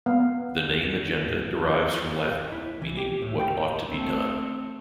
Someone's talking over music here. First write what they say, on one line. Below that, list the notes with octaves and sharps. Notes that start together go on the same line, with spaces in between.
The name Agenda derives from Latin meaning "what ought to be done".
B3 F5
E4
E3
G4
A2
G5
A3 C4